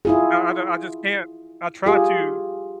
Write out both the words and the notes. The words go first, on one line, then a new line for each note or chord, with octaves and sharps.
I I I just can't I try to
E4 F4 G#4
F4 G4 G#4